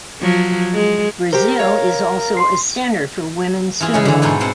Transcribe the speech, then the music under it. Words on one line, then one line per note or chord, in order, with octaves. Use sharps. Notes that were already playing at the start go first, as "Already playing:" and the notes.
Brazil is also a center for women's sumo.
F3 F#3
G#3
G4 A#4 C5
C#5 F5
C6 C7
E3 F4 G#4
C#3 G#3 C#4
D3 E3
G#2 B2 F#4 C#5 G#5
C4 F4 F#5 G#5